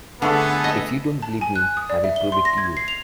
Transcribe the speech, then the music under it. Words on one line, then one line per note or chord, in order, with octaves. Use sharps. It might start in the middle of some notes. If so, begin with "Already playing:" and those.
If you don't believe me, I'll prove it to you!
D3 A3 B3 D4 G#4 A4
D#5 E5
A5
G#5
F#6
D#6
D5
E5
G7
C6
A#6
G#6
C7
F7